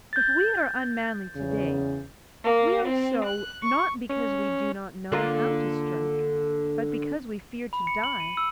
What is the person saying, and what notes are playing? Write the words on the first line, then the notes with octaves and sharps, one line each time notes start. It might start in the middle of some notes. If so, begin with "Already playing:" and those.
If we are unmanly today, we are so, not because we do not know how to strike, but because we fear to die.
G6 A6
E2 C#3
A#3
C4
F#6
C#6
C#4
D3 A#3 F4
B5
C#7
F#7
D#7
E6